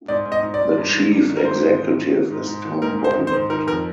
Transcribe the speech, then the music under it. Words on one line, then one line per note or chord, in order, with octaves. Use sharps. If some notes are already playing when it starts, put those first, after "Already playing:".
The Chief Executive is Tom Boland.
G#2 D5
G#2
D#5
G#2
D5
G#2
G2
D#3
G2
D#3
A#4
D#3 C5
G#2
D#3
D#3
D#3
G#2
G#2
D#3
G#2 A#4
G#2
C5
D#3
C5
G#2
D#3 A#4
F2 A#4